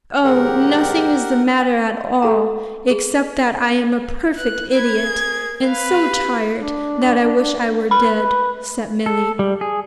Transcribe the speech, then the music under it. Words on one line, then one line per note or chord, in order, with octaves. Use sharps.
"Oh, nothing is the matter at all, except that I am a perfect idiot, and so tired that I wish I were dead," said Milly.
A1 G#2 C3 G4 G#4 A#4 F#5
G5
F#4 A4 F#5 G5 A#5
G#4
B4 F#6
A#4 B4 G#6
G#4
B4 F5
G4
D4
B4 B5
A4
G3
G#4